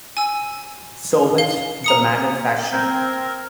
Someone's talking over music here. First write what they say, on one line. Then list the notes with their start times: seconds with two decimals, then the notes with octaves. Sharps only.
So much the man of fashion!
0.17 G#5 E6
1.38 F5 G7
1.84 A#5 D#6 C#7
2.72 C4 A#4 A#5 G6 G#6